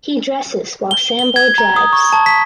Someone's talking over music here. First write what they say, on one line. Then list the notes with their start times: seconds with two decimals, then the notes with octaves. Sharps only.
He dresses while Sambo drives.
0.91 G7
1.19 G7
1.36 G#6
1.58 A#5
1.76 D#6
1.93 C#6
2.13 A5
2.26 B6